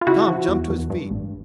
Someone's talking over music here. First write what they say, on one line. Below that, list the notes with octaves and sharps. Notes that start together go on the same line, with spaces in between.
Tom jumped to his feet.
F4
C#3 E4 F#4
F3
E2
E2
G2
A1